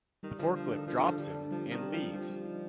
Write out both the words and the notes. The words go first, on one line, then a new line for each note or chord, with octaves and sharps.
The forklift drops him and leaves.
D#3 G3
D3 F3
F3 D4
D#3 A4
D3 F3
A4
F3
D3 G3
D4
F3 G3
C4
D#3
G4
F3 G3
F3 G3
G3
D#4